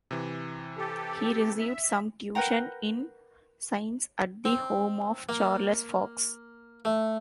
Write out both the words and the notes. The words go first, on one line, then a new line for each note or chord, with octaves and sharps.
He received some tuition in science at the home of Charles Fox.
C3 E3
G4 A4
E5
A#4 B4 F#5 G5 A#5
C4
A#3
A3